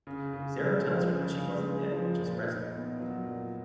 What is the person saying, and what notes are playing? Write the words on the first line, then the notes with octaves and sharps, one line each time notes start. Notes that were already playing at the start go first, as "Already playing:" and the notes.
Sara tells her that she wasn't dead, just resting.
C#3
C#3
G#3
F3
C#3
C#3
G#3
F3
A#2
D#4
B3
F#3
A#2